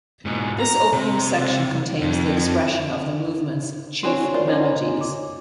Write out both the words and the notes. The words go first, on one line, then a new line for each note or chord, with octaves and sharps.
This opening section contains the expression of the movement's chief melodies.
G#2 B2
A#5
C3
F2
C4 D4 F#4 C#5 G#5 C6
F4 A#4 C5 D5
C#4 D#4
D6